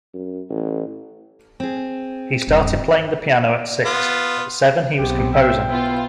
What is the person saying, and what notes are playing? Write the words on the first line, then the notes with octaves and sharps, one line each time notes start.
He started playing the piano at six; at seven he was composing.
F#2
A1
C4 G#4
D#1 G2
B3 F4
B1 B3 C4 G4
E5 G5
B3 E4 F4 C5